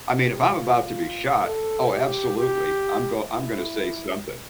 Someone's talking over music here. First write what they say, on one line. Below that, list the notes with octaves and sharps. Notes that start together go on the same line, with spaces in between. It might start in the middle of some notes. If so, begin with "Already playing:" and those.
I mean, if I'm about to be shot, oh, absolutely, I'm go I'm gonna say something.
G4
F4
A4
G4
G4
E4